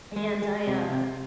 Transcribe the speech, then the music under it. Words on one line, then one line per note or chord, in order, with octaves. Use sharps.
and I, uh
G#3
G#3
C3
C3